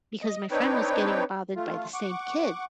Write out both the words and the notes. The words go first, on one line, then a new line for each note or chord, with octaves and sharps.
because my friend was getting bothered by the same kid.
D#5
C4 D4 D#4 B4 C#5 G5
A3 F4
F#5 C#6 D6